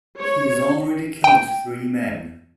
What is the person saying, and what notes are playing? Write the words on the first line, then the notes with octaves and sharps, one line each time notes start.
He's already killed three men.
C#5
G5